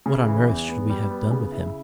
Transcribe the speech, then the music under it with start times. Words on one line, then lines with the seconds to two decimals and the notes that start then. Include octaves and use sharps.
"What on earth should we have done with him?"
0.06 C#3
0.27 E3
0.48 E2
0.69 B3
0.90 G3
1.10 B3
1.31 C#3
1.52 E4